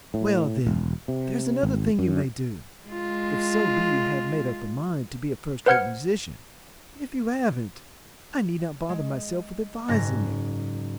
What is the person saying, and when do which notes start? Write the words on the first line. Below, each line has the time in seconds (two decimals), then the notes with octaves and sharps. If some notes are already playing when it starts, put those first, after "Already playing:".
"Well, then, there's another thing you may do, if so be you have made up a mind to be a first-rate musician; if you haven't, I need not bother myself with advising you."
0.14 A2
0.66 E1
1.08 C3
1.63 G#1
1.99 F#2
2.87 G#3 F4
5.66 B4 C5 F#5 F6 G#6 C#7
8.89 G#3
9.88 F#1 G#2 F#6 A#6